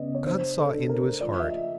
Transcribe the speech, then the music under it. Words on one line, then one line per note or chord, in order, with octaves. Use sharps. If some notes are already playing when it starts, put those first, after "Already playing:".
God saw into his heart.
Already playing: C#3 B3 D5 D#5
C#5
D4 C5
A4
D4
A#4
F3 D5
E5
D#5